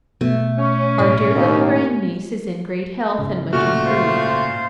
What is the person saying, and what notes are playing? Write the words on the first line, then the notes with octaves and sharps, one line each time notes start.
Our dear Little Grand-niece is in great health, and much improved.
B2 A3
C#4
A2
D#2
G#2 C#3
A#2 A3 F#4 F6
F4 C5